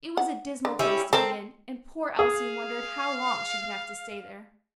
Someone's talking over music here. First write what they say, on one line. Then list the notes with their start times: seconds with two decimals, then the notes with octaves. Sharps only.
It was a dismal place to be in, and poor Elsie wondered how long she would have to stay there.
0.17 F#5
0.65 D3
0.79 G3 C#4 E4
1.13 C4 A4 A#4 C5
2.19 G#4 F5